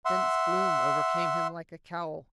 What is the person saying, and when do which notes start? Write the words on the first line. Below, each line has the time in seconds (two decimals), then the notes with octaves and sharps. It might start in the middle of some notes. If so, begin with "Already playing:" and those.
Dense gloom overcame him like a cowl.
0.05 E5 F#5 C6